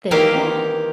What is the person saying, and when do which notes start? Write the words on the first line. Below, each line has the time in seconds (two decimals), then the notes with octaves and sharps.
There you go.
0.11 D#3 E3 A#3 E4 G4 F5